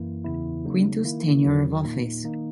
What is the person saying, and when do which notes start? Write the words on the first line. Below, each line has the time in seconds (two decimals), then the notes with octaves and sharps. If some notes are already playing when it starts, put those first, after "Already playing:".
Quintus's tenure of office.
Already playing: F#2 E3 A#3 E4
0.24 E2 C#3 E3 B3 E4
0.65 C#3 F#3 A#3 D#4
1.04 D#3 A#3 E4
1.44 E2 D#3 F#3
1.84 A#2 A#3 D#4
2.24 D#3 A#3 D#4